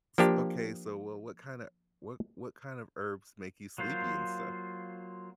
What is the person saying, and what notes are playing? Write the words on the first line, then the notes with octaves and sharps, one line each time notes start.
s okay, so w what kind a what what kind of herbs make you sleepy and stuff?
F3 A#3 D4 G4
F#3 A#3 F4 C5